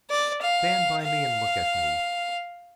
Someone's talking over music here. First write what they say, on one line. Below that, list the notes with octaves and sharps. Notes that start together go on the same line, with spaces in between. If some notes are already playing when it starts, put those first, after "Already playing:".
Stand by me and look at me.
D5
F5
F5